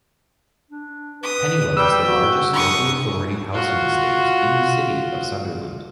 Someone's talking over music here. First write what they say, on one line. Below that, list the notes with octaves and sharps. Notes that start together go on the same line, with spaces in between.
Pennywell is the largest local authority housing estate in the City of Sunderland.
D4
B4 D#6
G3 G5 E6
F#4
D4 C#6 D#6
F4 F#4